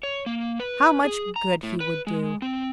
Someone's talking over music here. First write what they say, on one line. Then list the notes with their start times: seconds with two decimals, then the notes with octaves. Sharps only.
How much good he would do!
0.03 C#5
0.26 A#3
0.60 B4
1.05 G#4
1.36 A#5
1.63 A2
1.80 B4
2.07 G#3
2.42 C4